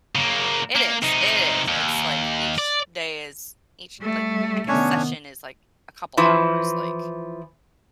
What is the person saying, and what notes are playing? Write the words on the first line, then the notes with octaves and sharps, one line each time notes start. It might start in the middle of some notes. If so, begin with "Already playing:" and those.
It is it is, it's, like, each day is each, like, I guess session is, like, a couple hours, like,
C#3 A#3
A#3
C3 D#4
D#2
D5
G3 A3
C3 D#3 B3 C#4 D4 C#5
E3 F3